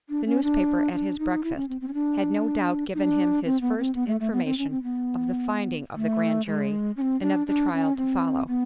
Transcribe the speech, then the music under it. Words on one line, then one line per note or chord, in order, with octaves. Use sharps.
The newspaper at his breakfast had no doubt given him his first information of the "finding" of the grand jury, and of the trial to follow.
D4
C#4
D4
D4
D#4
E4
C#4
C4
C4
C#4
D4
D#4
D4
C4
B3
C4
B3
A3
A3
B3
C4
C#4
C4
B3
A3
G#3
C#4
C4
D4
D4
C#4
C4
B3